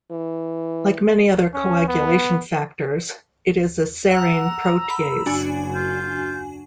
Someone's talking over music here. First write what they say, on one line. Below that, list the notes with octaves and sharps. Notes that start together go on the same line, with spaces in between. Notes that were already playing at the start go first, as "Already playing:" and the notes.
Like many other coagulation factors, it is a serine protease.
E3
C#4
B3
F#5 A#5 E6
B5
F#1 D4 F#4 G#5
F4 G6